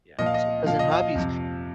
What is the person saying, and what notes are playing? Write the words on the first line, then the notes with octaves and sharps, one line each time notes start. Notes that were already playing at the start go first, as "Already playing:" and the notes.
Yeah, so 'cause in hobbies,
A#2 F3 D#5
F5
D#5
A#2 F3 F5
D#5
F5
F2 C3 F3